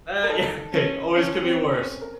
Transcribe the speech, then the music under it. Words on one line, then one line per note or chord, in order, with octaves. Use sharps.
Uh, yeah. Hey, it always could be worse.
A#4
D#4 A4
C#4
C#4
C4
C#4
A#4